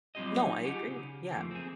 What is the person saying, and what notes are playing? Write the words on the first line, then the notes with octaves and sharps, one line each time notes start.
No, I agree, yeah.
F#3 G3 C4 F4 G4 D#5
D#4
F4 G4 G#4 F#5
C#3
F2 D#3 F3 A3 A#3
C4 G#4